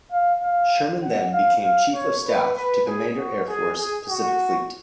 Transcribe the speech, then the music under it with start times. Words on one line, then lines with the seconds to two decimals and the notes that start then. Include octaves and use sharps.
Sherman then became Chief of Staff to Commander Air Force, Pacific Fleet.
0.11 F5
0.41 F5
1.02 F#5
1.33 F5
1.64 F5
1.94 C#5
2.26 B4
2.55 B4
2.87 G#4
3.18 F#4
3.48 G#4
3.79 G#4
4.09 F#4